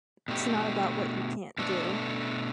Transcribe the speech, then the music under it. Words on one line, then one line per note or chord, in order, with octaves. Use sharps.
It's not about what you can't do.
B2 A3 D4 G4
B2 A3 D4 A4